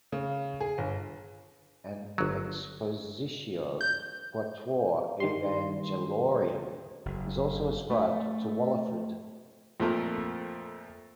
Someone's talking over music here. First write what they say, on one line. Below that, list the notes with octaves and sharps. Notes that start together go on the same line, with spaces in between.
An "Expositio quatuor Evangeliorum" is also ascribed to Walafrid.
C#3
G#4
G1
G1 F#3
G6
D#3 G3 C6
F#1
A3
F2 A#2 A3 A#4